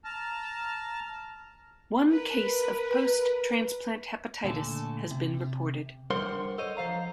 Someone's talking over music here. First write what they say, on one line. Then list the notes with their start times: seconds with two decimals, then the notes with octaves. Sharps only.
One case of post transplant hepatitis has been reported.
0.04 A5 A#5 F6
2.11 A#4 B4
4.44 A#2 D3 A3 A5
5.11 C3
6.10 G3 D4 A#4 C5 F#5 C6
6.58 A4 C5 C#5 D#5
6.77 F3 C5 F5 A#5